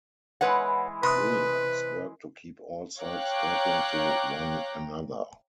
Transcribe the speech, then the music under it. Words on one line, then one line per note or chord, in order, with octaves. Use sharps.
Williams worked to keep all sides talking to one another.
E3 G#3 E4 B4 C#5 F#5
C3 B4 B5 C6 D#6
C#5 F5 G5 A#5 D6 F#6